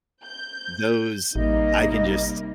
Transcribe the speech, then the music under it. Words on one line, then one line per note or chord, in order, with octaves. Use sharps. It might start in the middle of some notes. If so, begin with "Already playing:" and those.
Those, I can just
G6
A1 C3 G3 A#3 D#4 D#5